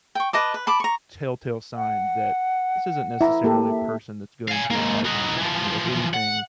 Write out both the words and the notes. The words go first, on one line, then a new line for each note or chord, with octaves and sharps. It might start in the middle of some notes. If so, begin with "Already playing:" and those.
telltale sign that, "This isn't necessarily a person that's going to enlighten me." You know? "If anything,
G5 C#6
B4 D#5 A5 D6
B4
A5 B5 D6
A#5 C#6
F#5
E4 A#5
A#3 G4 A4
E5
F5 G#5
G#3 A#3
D#4 F#4
E3 F3
F#5